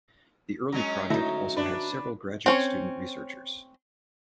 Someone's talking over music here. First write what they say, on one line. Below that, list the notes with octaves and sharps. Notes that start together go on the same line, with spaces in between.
The early project also had several graduate student researchers.
F#3 G#3 C#4 A#5
D3 A3 D#4 E4 F#4 E5 A#5
D4 B4
C4 C#4 C#5